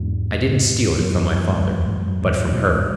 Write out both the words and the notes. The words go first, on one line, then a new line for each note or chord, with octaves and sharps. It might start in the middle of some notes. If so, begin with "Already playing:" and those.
I didn't steal it from my father, but from her.
Already playing: E2 G#2
F#2
G#2
F#2
E2
G#2
F#2
F#2
E2 G#2
E2 G#2
G#2
F#2 B2
E2 G#2